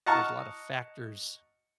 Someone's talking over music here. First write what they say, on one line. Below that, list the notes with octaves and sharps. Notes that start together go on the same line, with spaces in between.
there's a lotta factors
D#5 F#5 A5 A#5 C#6 F6